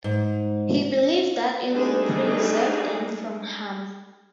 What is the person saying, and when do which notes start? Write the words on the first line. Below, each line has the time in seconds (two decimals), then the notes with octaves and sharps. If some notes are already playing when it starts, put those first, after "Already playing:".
He believed that it would preserve them from harm.
0.04 G#2
1.72 G3 A3 D4 D#4 G#4 A4